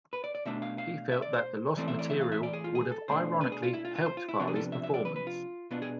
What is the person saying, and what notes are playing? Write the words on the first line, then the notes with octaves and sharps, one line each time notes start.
He felt that the lost material would have ironically helped Farley's performance.
B4
D5
D5
B2 A3 D4 E5
F5
F5
E5
D5
C5
A2 E3 A3 C4 D5
E5
D5
E5
F5
E5
D5
G#4
F4
G#4
A4
B2 A3 D4 C5
B4
G#4
F4
E4
F4
F4
C5
F4
E4
C3 F3 B3 D4 F4
G#4
A4
E5
E5
D5
B4
B4
F4
B2 B3 D4 F4
G#4